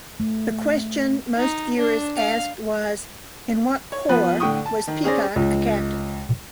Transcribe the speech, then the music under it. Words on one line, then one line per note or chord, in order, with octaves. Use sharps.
The question most viewers asked was: in what corps was Peacock a captain?
A3
D#4
D4
F5
C#5
F3 B3 B4
A2 D3 G5 C#6 D#6
A5
D#3
C#4 G#4 C5 D5 A#6
C#2